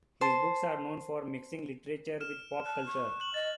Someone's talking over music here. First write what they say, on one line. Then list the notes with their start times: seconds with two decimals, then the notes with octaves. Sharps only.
His books are known for mixing literature with pop culture.
0.21 C5 A5
2.21 F6 E7
2.66 A5 F#6
2.86 C#6
3.20 F#6 F#7
3.34 D#5 A6